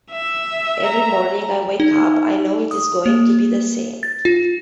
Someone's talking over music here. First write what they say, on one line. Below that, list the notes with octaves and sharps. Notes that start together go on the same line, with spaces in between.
Every morning I wake up I know it is going to be the same.
E5
A#5
D#4
D#6
A#3
A6
F4